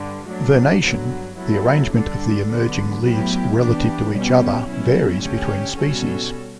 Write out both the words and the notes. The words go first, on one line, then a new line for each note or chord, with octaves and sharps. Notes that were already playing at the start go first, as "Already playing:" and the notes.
Vernation, the arrangement of the emerging leaves relative to each other, varies between species.
Already playing: G2 D3 G3
F#3 A3 D4
G2 D3 F#3 B3
F#3 B3 E4 A4
D3 G3 D4 A4
D3 F#3 B3
A2 F#3 B3 E4 G4
E3 B3 D4 G4
B2 G3 C#4 G4
B2 F#3 C#4 E4
D3 A3 C#4 G4
B2 G3 C#4 F#4 A4